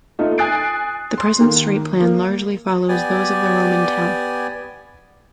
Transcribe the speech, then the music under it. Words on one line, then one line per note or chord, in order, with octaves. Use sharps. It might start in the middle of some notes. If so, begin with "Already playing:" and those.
The present street plan largely follows those of the Roman town.
A3 D#4 F4
G#5 D#6 F#6 A6 C7 D7
C6
D#3 A#3
A#3
B3 G4 D5 G#5